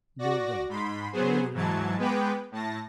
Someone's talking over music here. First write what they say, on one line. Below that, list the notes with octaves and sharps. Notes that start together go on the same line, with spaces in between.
No God! no Love!
F#4 D5 A#6
G#2 B5 C6
F#3 B3 G#4 C5
G#2 E3 F#3 A5 G#6
G#3 B3 B4 G5 D6
A2 A5 A#6